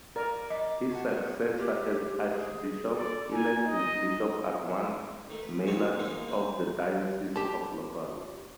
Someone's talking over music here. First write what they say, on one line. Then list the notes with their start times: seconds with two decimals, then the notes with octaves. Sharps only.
His successor as Archbishop-elect is Bishop Armand Maillard of the Diocese of Laval.
0.16 A#4 D5
0.50 D#5 D6 B6
0.91 F#5 A5 C#6
1.59 G4
2.32 G#4
2.95 A4 D5
3.31 D#4 G#5
3.66 D#5
5.30 D#3 A3
5.43 B4
5.67 C#2 F#3 C4 D4 C#5 D5
5.99 D#3 E3 G#3 A#3 B3
6.28 C4
7.36 G4 A5